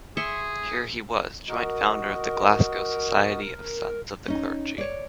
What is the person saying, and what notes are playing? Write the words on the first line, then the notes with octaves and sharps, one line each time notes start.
Here he was joint founder of the Glasgow Society of Sons of the Clergy.
G#4 E5 C6 C#6
F#4 A#4 D#5
C#4 D#4
C#5 D5